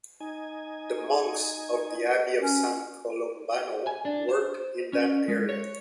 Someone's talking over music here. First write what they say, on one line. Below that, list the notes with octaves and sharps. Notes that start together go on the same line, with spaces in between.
The monks of the Abby of San Colombano worked in that area.
D#4 G#5
C#4
G#5
D4
C5
C#4
G#3
C#5